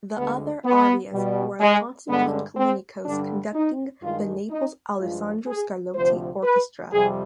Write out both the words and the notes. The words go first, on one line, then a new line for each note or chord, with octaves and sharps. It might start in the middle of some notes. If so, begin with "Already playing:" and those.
The other arias were of Constantine Callinicos conducting the Naples Allesandro Scarlotti Orchestra.
D2 D3 G#3 B3
B3
B2 G3
G#3
G2 D3 G#3 B3
C4
G2 D3 G3 D4
D#4
G2 D#3 G#3 F4
D#4
G2 F3 G#3 F4
G#4
D2 C3 F3 C5
B4
F2 C3 G3 G#4